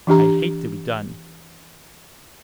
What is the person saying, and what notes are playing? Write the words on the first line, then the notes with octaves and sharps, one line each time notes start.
I hate to be done.
E3 D4 G4 A#5